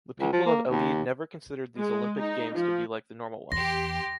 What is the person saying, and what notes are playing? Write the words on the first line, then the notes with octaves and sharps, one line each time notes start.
The people of Elide never considered these Olympic Games to be like the normal ones.
C#2
F3
A#3
D#2
G#3
D#4
F3
E2 G4 C6 A#6